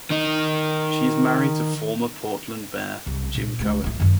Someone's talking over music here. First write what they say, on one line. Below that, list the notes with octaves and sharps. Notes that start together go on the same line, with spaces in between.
She is married to former Portland Mayor Jim Cohen.
D#3 D#4
C2
A#2
C#2 G3
A1 E4
F#2 D#3